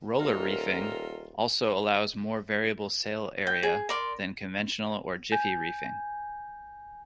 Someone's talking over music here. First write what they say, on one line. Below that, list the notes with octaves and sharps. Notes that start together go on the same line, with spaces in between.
Roller reefing also allows more variable sail area than conventional or jiffy reefing.
D#1 F4 A4 A#4
G5
G#4
A#4 D5 C6
G#5 G6